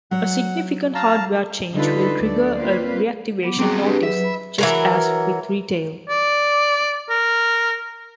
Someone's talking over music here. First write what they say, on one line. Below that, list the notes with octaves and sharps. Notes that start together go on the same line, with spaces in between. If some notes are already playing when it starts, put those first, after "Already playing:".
A significant hardware change will trigger a reactivation notice, just as with retail.
F#3 C#5 F#5
F5 A5 A#5
D3 G3 D#4 F4 A4 B4
D2 F#3 A3 A4 D5
A#3 C4 F4 B4
F#3 B3 D6
C4 F#4 G#4 G5 A#5
D4 G4 B4
F#3 B4 E5
B5
E3 F#3 A#4
D5
A#4